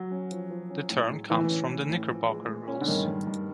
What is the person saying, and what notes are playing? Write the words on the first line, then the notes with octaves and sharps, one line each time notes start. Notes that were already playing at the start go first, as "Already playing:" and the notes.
The term comes from the Knickerbocker Rules.
Already playing: F#3
C#4
F3
F3
C#4
A2
G#3
A2 E3
C#4
C#4
A2
F3
G#3
G#3
C#4
D3
G2 D#3
G2
G2